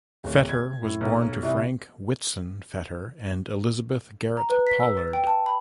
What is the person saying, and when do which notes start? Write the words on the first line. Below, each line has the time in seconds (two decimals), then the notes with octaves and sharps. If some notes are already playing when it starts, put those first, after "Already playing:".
Fetter was born to Frank Whitson Fetter and Elizabeth Garrett Pollard.
0.24 D1
0.49 G#6
0.83 A2
1.01 B1
1.43 C2
4.37 A#5
4.50 B4
4.67 B6
4.80 E6
4.97 A6
5.13 G5
5.27 A5
5.46 B5